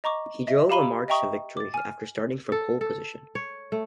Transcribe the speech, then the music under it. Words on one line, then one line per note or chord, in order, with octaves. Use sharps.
He drove a March to victory after starting from pole position.
D#5 A#5 C#6 D6
D#5 E5
G4 F5 A#5 B5 D#7 G7
D#5 E5 G5 A#5 C#6 D#6
D6 A6
G#5 F6
A4
A4
C#5
A3